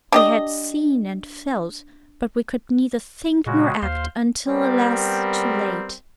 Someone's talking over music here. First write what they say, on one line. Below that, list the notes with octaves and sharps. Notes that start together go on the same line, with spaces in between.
We had seen and felt, but we could neither think nor act, until, alas! too late.
D4 G4 D#5
A#2 C#3 G#3 F#4
D#2 C5 F5 C6
G3 B3 C4 A#4